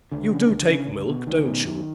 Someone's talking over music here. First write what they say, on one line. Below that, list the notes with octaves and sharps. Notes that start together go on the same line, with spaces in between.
You do take milk, don't you?
C#2 D3
C#3
C#2
C#3
C#2
B2
C#2 D#3
B2
F#2